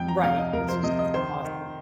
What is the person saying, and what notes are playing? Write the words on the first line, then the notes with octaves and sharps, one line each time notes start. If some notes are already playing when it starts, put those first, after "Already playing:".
Right, I jus exhausting.
Already playing: F2 G5
A#5
C3 F5
D#5
F2 A#4
C5
C3 D#5
D#5
D#3 C5
D#3